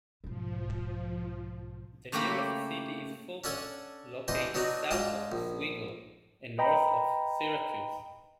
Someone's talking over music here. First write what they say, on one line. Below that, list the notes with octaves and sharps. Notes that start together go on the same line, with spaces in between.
The nearest city is Fulton, located south of Oswego and north of Syracuse.
B1 G#2 F3
C#3 A3 A#3 G4 A#5 B5
C#4 D4 A4 F#5 G#5
E2 E3 D4 C5 D#5
F#3 B3 D4 D#4 F#4
G#2 D4 F4 G#4 C6
A#1
B4 D#5 G5 A#5 B5